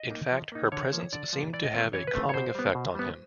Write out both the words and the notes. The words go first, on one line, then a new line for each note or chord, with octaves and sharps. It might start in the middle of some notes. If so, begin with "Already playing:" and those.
In fact, her presence seemed to have a calming effect on him.
Already playing: D#5
A#3 D#4
F3
A#3 D#4
D3 C#5
F3 A#3
D3 D5
F3 A#3
E3 D5
D#5
A3 C4
E3 C#5
B4
A3 C4
C#5
B2 C5
G3 B3
B2
G3 B3